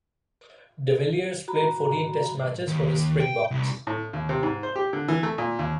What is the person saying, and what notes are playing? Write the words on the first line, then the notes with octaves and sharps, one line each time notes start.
De Villiers played fourteen test matches for the Springboks.
F#4 A#5 B5
D#2
G5
C2
A2
D#2
C3
G#2
C5
G4
D3
E3
A3
A#2
D#2